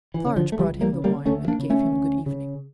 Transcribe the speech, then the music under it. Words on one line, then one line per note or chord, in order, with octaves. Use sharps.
Defarge brought him the wine, and gave him Good Evening.
E3
C#3
D3 F3
A3
C#2 E3 G3
G3 A#3
C#3
G3 A#3
D2 A3 C#4
A#3 D4
C#3
A3 C#4
D2
C#3